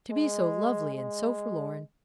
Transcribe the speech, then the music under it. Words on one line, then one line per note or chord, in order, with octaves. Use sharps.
To be so lovely and so forlorn!
G#3
G#3